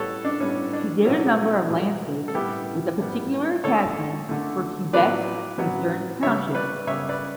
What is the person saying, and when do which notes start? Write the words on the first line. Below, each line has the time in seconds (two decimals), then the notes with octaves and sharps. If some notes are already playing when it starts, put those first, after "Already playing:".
She did a number of landscapes, with a particular attachment for Quebec's Eastern Townships.
Already playing: A2 G3 B3 A4 B4 C#5
0.25 D4
0.40 A2 G3 B3 C#4
0.73 D4
1.05 B2 F#3 B3 C#4 E4
1.70 B2 F#3 B3
2.28 A4
2.34 A2 G3 B3 E4 G4
2.99 A2 G3 B3
3.64 D3 A3 A4 C#5
4.29 D3 A3
4.93 A2 F#3 B3 B4 D5
5.58 A2 F#3 B3
6.23 C#3 G3 B3 C#5 E5
6.55 B4 D5
6.87 C#3 G3 B3 C#5 E5
7.09 B4 D5